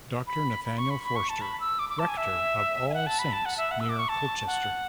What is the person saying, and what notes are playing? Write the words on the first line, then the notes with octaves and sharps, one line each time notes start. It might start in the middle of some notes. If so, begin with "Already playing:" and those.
Doctor Nathaniel Forster, rector of All Saints near Colchester.
B5
B5
C#6
B5
B5
C#6
A5
B5
E6
D6
D6
A5
G#5
E5
G#5
F#5
A5
B5
A5
F#5
E5
F#5
E6
D6
C#6
A5
F#5